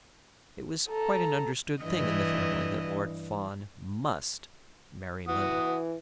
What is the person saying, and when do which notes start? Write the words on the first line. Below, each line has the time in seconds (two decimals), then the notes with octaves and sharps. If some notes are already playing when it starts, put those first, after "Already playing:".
It was quite an understood thing in the family that Lord Fawn must marry money.
0.89 A4 A#5
1.82 G2 E3 D#5
5.28 E3 F#4 D#6